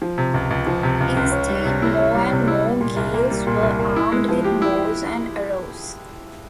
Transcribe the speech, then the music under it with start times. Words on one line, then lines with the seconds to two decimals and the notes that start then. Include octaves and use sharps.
Instead, more and more Gaels were armed with bows and arrows.
0.02 F3
0.18 C3
0.34 C#2
0.51 C#2
0.67 F3
0.83 C3
1.00 C#2
1.17 C#2
1.32 C#4
1.49 G3
1.65 C3
1.82 E4
1.99 C#4
2.14 G3
2.32 C3
2.47 E4
2.64 G3
2.81 A#2
2.96 C2
3.14 A#3
3.30 G3
3.47 A#2
3.63 C2
3.79 A#3
3.96 E4
4.12 G#3
4.29 F3
4.44 G4
4.62 E4